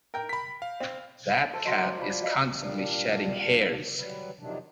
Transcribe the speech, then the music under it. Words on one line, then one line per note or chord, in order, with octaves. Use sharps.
That cat is constantly shedding hairs.
A#4 G5
B5 B6
F5
C4
B5
A4 C5
F#3 D#5 C6
C5 D5 F5
F4 C5 B5
F#4 D#5 F5
A#2 G3 D4 F5
F#3 G3 B4
F2 C3 D#3 F#3 D4